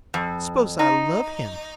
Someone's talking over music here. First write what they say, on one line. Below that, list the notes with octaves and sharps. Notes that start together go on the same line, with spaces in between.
"S'pose I love him?"
F2
D#4